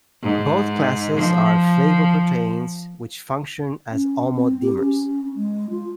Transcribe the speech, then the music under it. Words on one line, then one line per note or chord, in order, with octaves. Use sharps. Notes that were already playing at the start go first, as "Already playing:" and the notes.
Both classes are flavoproteins which function as homodimers.
G#2
F3
C#4
C4
G4
C#4
G#3
F4